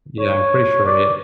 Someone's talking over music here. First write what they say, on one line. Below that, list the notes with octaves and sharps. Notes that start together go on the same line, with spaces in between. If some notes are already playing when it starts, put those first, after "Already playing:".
Yeah, I'm pretty sure it
C#5
D5